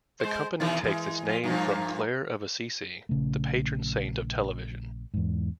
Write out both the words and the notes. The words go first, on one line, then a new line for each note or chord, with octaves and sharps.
The company takes its name from Clare of Assisi, the patron saint of television.
G#3 C5
B2 D#3 E3
E3 G#3
F2 F4
G2 A#2 F3
A#1 C#3 A3
E2 G#2